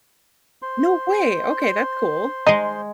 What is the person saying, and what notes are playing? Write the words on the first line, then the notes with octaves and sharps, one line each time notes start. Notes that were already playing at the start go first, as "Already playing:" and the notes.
No way, okay, that's cool.
C5 C6
G#3 D#4 D#5